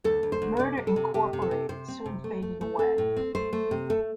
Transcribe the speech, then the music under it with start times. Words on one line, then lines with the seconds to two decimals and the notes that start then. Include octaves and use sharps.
Murder, Incorporated soon faded away.
0.04 D2 A4
0.23 D2
0.32 C5
0.42 D2
0.59 C3 D5
0.78 C3
0.87 A4
0.96 C3
1.14 C3 G4
1.33 C3
1.42 A4
1.51 C3
1.69 C3 C5
1.88 C4
2.06 C3
2.24 A3
2.42 A3
2.61 A3
2.79 C4 A4
2.98 A2
3.17 C4
3.35 A3 C5
3.53 A3
3.71 C3
3.90 A3 A4